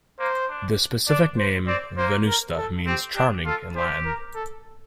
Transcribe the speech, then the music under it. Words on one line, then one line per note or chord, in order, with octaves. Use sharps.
The specific name, "venusta", means "charming" in Latin.
A#3 C5
D4
D4 D5
C5
C4 D5
A#3 C5
A#4
A4
C4 G4
D4 G4
F4 A4
G4 C5
A#4
A4